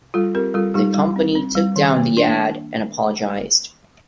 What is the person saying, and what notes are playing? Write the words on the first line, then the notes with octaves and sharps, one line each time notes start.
The company took down the ad and apologized.
G3 F4 A4
C4 G4 A#4
G3 F4 A4
G3 D#4 G4
G3
C4
C4
G3
D#3
A#3
D4